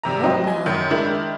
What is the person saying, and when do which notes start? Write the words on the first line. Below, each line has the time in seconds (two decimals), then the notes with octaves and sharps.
"I hope not."
0.03 G#1 C3 A#5
0.24 F#3 G3 C4 D#4
0.44 D#5 G#5
0.66 F#2 D#3
0.90 D#3 G#3 D4 E4 A#4